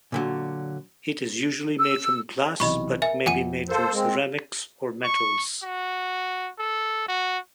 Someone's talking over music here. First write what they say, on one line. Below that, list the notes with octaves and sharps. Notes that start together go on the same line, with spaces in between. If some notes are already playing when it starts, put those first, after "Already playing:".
It is usually made from glass, but may be made from ceramics or metals.
A#2 D3 F#3
E6
B1 C3 E3 D#5 B5 C#6
A#4 E5 G#5
F2 F#5 G#5 D#7
A4 A#4 C5 F5
G#3 C4
C#6
F#4
A4
F#4